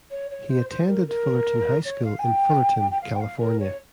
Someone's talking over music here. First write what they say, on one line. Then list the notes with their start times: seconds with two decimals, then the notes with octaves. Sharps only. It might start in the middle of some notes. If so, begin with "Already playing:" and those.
He attended Fullerton High School in Fullerton, California.
0.10 C#5
0.30 C#5
0.49 C5
0.69 C5
0.88 A#4
1.07 A#4
1.85 C#5
2.04 F5
2.19 G#5
2.23 G5
2.90 G5
3.01 F5
3.15 G5
3.20 F5
3.39 A#4
3.59 C#5